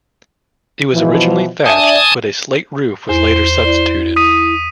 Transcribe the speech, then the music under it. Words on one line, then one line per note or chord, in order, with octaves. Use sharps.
It was originally thatched, but a slate roof was later substituted.
B2 E3 F3
D4 D5 E5 G#5 A5 D#6
E2 E4 C5
E4 D5
D#6 B6 D#7